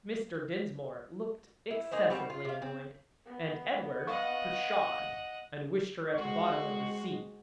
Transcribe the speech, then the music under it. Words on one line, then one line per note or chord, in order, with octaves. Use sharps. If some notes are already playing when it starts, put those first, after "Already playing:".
Mr. Dinsmore looked excessively annoyed, and Edward "pshawed, and wished her at the bottom of the sea."
E4
A#3 D#4 G#4 C5
G3 C4 F#4
F4
C3 F5
C4
B3
D#5 F5 F#5 C#6
G#3 C4 F#4 C#6